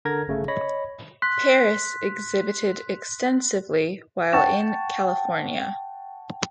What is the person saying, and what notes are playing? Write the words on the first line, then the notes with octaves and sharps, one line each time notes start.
Paris exhibited extensively while in California.
D3 A#4 A#5 G#6 A#6
G1 C#3 A3
C#5 D#5 B5 A#6
C6 F#6 B6
F#5 G5 A5 C#6 A6 E7